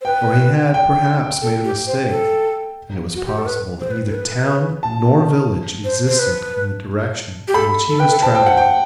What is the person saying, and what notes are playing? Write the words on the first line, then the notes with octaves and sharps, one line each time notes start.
Or he had, perhaps, made a mistake, and it was possible that neither town nor village existed in the direction in which he was travelling.
C5
B4 G5
G5
A4
G4
C5
A4
F#4
G4
A4
B4
C5
B4
A4
B4
A5
C5
C5
B4
G4
A4 B5
A4
B4 G5
A4
C5 A5
G5
F#5
G5